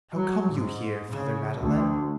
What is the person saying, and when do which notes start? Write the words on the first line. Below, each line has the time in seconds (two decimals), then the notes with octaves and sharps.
How come you here, Father Madeleine?
0.13 F#3
0.53 G#2
1.12 C#3
1.58 D2